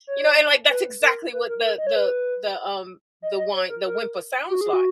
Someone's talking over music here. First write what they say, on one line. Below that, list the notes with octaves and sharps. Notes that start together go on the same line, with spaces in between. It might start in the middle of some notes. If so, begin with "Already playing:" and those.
You know? And, like, that's exactly what the the the, um, the whine the whimper sounds like.
C#5
B4
A#4
B4
A#4
A#4
D#5
C#5
B4
D#5
D#5
C#5
A#4
A#4
F#4
G#4
F#4